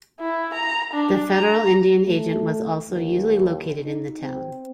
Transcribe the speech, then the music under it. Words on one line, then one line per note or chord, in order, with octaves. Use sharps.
The federal Indian Agent was also usually located in the town.
E4
A#5
D4
A#5
A3
D#2
D#4
C4